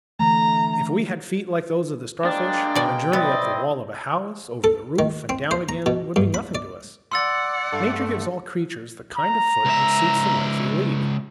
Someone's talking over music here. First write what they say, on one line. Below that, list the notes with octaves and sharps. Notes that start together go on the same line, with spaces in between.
If we had feet like those of the Starfish, a journey up the wall of a house, over the roof, and down again, would be nothing to us. Nature gives all creatures the kind of foot which suits the life they lead.
D3 E3 A3 A#5
G3 G#3 A#3 D4 G5
B2 D5
B3 C4 E4 D5 D#5
A4
D#3
C4
C5
A#5
B2
G2
B5
D5
D5 F#5 C6 E6 A6
G2 A3
A#5
C#2 E5